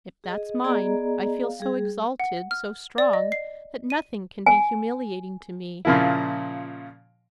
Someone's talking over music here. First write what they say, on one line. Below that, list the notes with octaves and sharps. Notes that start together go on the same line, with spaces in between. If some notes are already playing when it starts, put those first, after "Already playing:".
If that's mine, I feel so exalted, so strong, that nothing can be humiliating to me.
G#4 D#5
B3 G#4 D5 D#5 A#5
F5
G3 G#4
F#5
F6
D5
D#5
C7
D#7
G#5
A#2 C#3 F3 A#3 E4